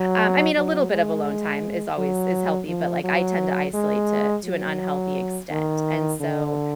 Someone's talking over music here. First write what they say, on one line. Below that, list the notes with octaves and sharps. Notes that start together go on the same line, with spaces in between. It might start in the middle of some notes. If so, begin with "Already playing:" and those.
Um, I mean, a little bit of alone time is always is healthy, but, like, I tend to isolate to to an unhealthy extent, and so,
Already playing: F#3
F#3
G#3
F#3
F3
F#3
G#3
F#3
D#3
D3